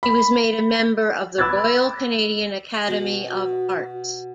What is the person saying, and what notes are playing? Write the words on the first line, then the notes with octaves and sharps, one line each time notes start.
He was made a member of the Royal Canadian Academy of Arts.
B5
B5 D6 E6 F#6 G#6 A6
B2 F#4 F#5